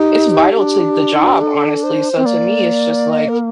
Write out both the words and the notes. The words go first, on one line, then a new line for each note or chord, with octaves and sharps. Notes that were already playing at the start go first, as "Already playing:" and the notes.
it's vital to the job, honestly so, to me, it's just like,
Already playing: D#4 G4
D4
D#4
F#4
G4
A4
C5
C4
A#3 D5
D#5
A#4